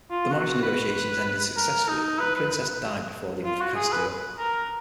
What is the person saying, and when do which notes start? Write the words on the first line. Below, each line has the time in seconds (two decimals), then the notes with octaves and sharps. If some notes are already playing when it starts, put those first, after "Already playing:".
The marriage negotiations ended successfully, but the princess died before leaving for Castile.
0.10 F4
0.31 F#4
0.63 B4
1.57 A#4
1.88 D#4
2.20 B4
2.35 B4
2.50 B4
3.45 F4
3.61 F#4
3.76 G#4
3.92 B4
4.39 A#4